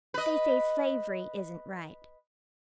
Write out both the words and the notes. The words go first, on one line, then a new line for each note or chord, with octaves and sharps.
"They say slavery isn't right."
B4 D#5